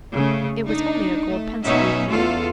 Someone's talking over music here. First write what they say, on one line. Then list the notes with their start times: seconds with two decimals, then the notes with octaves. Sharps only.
It was only a gold pencil.
0.14 C#3 A3
0.66 D4 D#4
1.29 A3
1.64 B2 F#3 C#4 D#4 E5
2.11 E2 A3 F4 A4